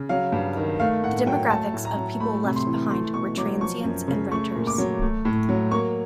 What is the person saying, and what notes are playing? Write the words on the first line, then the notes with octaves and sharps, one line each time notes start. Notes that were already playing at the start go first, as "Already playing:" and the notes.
The demographics of people left behind were transients and renters.
Already playing: C#3
F#3 F5
G2
D#3
A3 F5
A2 F#5
F#3 G5
A3 A5
A2
A#5
F#3
A3 B5
C3
C6
E3
A3 C6
B2 C#6
F#3 D6
F3 C#6
F#2
C#3
A3 C#6
A#2
D6
F#3
A3
A2
F#3
A#3 C#6